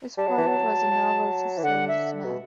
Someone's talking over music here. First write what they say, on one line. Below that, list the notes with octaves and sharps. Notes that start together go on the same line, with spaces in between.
His father was a novelty salesman.
G3 A5
F#3
E3
F#3
F#3
E3
D3 F#5
E5
B2